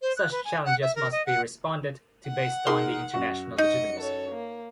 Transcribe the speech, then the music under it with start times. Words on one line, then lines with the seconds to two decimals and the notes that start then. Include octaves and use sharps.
Such challenges must be responded to based on the international legitimacy.
0.01 C5
0.16 F#6
0.31 B4
0.44 G#5
0.65 F#5
0.81 E5
0.95 A#4
1.11 D#5
1.26 F#5
2.27 F#5
2.67 D#4 G#4 A#4 C6
3.13 F#2 F#4
3.58 D#4 D#5 C#7
3.99 A4 C#5
4.31 A#3